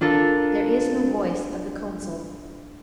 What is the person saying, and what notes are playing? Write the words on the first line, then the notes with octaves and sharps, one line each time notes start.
There is no voice of the council.
D4 F4 A4 A#4